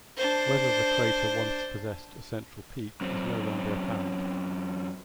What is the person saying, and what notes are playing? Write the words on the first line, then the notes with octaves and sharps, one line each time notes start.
Whether the crater once possessed a central peak is no longer apparent.
D4 C5
F#2 C4